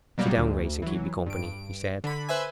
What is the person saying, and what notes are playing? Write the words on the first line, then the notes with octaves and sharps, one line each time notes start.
"Sit down, Grace, and keep me company," he said.
B2 F#3 G3 A#3
D2
E3 F#3
G2 D7
D3 B5
B4 C5 E5 G#5